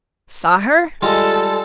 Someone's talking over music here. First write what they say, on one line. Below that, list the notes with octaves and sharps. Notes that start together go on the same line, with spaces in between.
"Saw her?"
G3 G#3 F4 A4